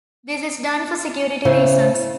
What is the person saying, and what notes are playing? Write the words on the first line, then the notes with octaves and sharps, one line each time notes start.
This is done for security reasons.
C#3 E4 C5